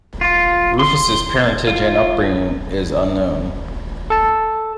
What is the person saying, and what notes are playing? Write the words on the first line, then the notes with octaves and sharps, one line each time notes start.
Rufus' parentage and upbringing is unknown.
F4
C6
F4
A4 A5